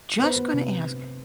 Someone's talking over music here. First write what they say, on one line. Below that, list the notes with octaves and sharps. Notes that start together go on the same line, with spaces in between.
Just gonna ask.
B3 C5
B3
C3